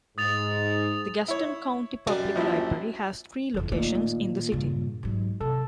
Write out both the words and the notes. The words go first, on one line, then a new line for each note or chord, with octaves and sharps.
The Gaston County Public Library has three locations in the city.
G#2 D#6 A6 F7
E4 C#5
F#2 G3
A#1 F3 E4
F#1 F2
A#2 D#3 A3
G2 C#3
G#2 F#3
C3 A4